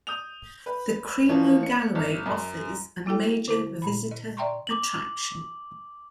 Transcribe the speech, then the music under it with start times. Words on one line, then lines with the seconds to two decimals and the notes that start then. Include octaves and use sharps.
The Cream o' Galloway offers a major visitor attraction.
0.07 D#6 G6 F7
0.66 B4
1.29 E3 F3 D#4 C#5
1.63 C#7
1.95 G1
2.26 F#2
3.06 A#3 E4 F#4 A4 G5
3.48 D3 E4
3.82 A#2 B5
4.11 D#5
4.37 D5 E5 G5 A#5 C6 C#6
4.67 D6 F#7